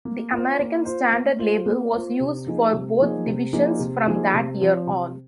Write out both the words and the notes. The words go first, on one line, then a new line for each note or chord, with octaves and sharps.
The American Standard label was used for both divisions from that year on.
A#3
F4 C5
A#3
F4 C5
A#3
F4 C5
A#3
F4 C5
C3
F3 A#3 D#4 G#4
C3
F3 A#3 D#4 G#4
C3
F3 A#3 D#4 G#4
C3
F3 A#3 D#4 G#4
C3
F3 C4
C3